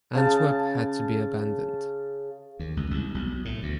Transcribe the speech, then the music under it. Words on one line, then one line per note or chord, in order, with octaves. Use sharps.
Antwerp had to be abandoned.
C#3 A5
D#2
C#2
C2
B1
A2
D2